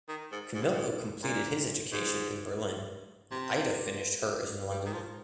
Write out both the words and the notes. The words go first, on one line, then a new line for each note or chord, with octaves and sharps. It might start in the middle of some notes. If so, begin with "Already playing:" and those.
Camillo completed his education in Berlin and Ida finished hers in London.
D#3
G#2
G#2
G2
G#2
A#2
G#2
C3
G3
D#3
F3